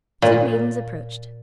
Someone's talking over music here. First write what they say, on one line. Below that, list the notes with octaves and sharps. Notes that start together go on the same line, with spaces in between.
Two maidens approached.
A#2